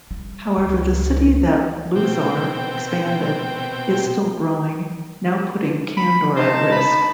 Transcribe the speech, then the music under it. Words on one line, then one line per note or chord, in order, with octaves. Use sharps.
However the city that Luthor expanded is still growing, now putting Kandor at risk.
G3
C#2
B2 C4 G5
B5
D#4 C5 A5
B5